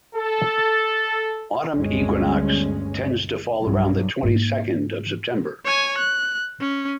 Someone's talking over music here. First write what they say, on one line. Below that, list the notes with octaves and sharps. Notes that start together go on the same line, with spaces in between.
Autumn equinox tends to fall around the twenty-second of September.
A4
G1 D2 G2 G#3 C#4
B1 G2 F#3
G#2 A#3
C#5 G#5
F#6
C#4